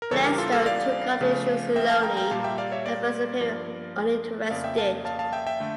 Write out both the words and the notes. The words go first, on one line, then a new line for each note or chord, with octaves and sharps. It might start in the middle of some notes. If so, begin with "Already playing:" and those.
Gladstone took up the issue slowly, at first appearing uninterested.
A#4
E2 C#3 E3 G3 A4 C#5
G4 A#4
F4 A4
F4 A4
D5 F5
C#3 F3 A3
E5 G5
F5 A5
G5 A#5
G5 A#5
A#2 G3 A#3 F5 A5
E5 G5
D5 F5
C#5 E5
A#4 D5
G2 F3 A#3 A#4 D5
F2 C#3 F3 A#3 D5 F5
E5 G5
F5 A5
F5 A5
F5 A5
E5 G5
E5 G5
D3 A3